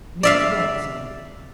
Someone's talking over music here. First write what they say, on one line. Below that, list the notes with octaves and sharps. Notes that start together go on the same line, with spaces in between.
Mrs. Romsey.
D5 E5 F5